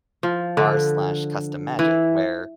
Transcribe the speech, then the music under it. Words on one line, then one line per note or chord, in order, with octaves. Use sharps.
r/custommagic, where,
F3
D3
E3